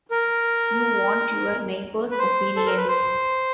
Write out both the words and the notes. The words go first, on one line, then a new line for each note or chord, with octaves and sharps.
You want your neighbours' opinions.
A#4
B4
C5
A4
A#4
B4
C5